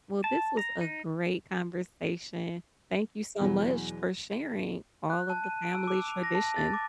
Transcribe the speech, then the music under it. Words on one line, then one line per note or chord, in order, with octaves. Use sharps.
Well this was a great conversation, thank you so much for sharing all of the family traditions.
A5
A#5
D#4
E2 B2 E3 F#3
F#6
A5
D#7
D7
E6
D6
F7
A#6
A5
A6
D6